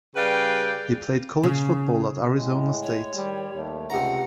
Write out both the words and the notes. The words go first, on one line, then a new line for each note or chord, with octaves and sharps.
He played college football at Arizona State.
C#3 G3 B4 D5 F5 G5
C#3
A2 G#3
C#5
D#3 G3
D#2 A3
C#2 C3 F#5 A#5